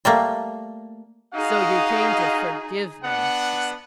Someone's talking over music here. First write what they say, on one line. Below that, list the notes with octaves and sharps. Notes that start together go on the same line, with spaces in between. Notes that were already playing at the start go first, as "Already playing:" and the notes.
"So you came to forgive me?" he said.
G3 A3 A#3
D#4 F#4 G#4 D#5 F5
B3 D4 F#5